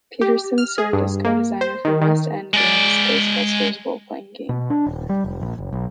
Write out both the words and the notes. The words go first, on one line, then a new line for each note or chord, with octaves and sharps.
Petersen served as co-designer for West End Games's "Ghostbusters" roleplaying game.
G4
F6
G#4
G2
A#3
C5
D#3
D#3
G#3 D5
B2
D4
D#1
G3
F1
A#1
F#1
B1